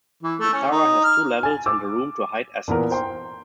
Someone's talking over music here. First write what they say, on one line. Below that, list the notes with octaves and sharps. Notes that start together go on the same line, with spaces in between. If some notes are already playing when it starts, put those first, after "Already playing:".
The tower has two levels and a room to hide assets.
E3
A3
C#4
D#4
F6
G#5 A6
D6 E6
A#2 E3 B3 A#4
C5 G5 C6